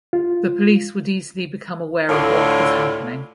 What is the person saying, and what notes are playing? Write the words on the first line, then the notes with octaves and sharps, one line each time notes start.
The police would easily become aware of what was happening.
F4
D2 A2 D3 F4 C#5